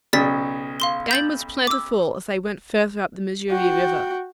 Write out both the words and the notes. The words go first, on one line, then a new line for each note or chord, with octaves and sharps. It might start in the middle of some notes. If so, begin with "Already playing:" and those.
Game was plentiful as they went farther up the Missouri River.
B1 C#3 D5 A6 B6
F5 C6 G7
G6 A6 F#7
D6 E6
F#4 G5